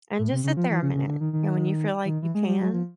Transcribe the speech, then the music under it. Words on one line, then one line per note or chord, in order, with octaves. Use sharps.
and just sit there a minute, and when you feel like you can,
A2
C3
C#3
F3
E3
C#3
C#3
D3
D#3
D#3
E3
D#3
E3
G#3
G3
F#3
F3